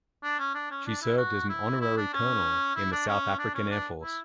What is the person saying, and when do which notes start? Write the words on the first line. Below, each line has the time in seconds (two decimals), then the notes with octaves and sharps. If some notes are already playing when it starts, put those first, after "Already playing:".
She served as an Honorary Colonel in the South African Air Force.
0.23 D4
0.39 C#4
0.55 D4
0.70 C#4
0.86 D4
1.02 E4
1.18 F#4
1.49 E4
1.81 E4
1.97 D4
2.13 C#4
2.76 E4
2.92 D4
3.08 C#4
3.39 D4
3.54 C#4
3.70 D4
4.03 E4